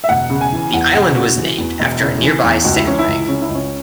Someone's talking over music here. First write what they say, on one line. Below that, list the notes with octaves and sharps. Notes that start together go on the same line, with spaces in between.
The island was named after a nearby sand bank.
E5
E1 F#5
C#3
G#5
E3
E2 F#5
E1 F#5
C#3 F#4
E3
E2
E1
C#3
E3
E2
C#2 F#4
E4
E3 C#4
E4
C#2
C#3 C#4
E4
C#2
C#4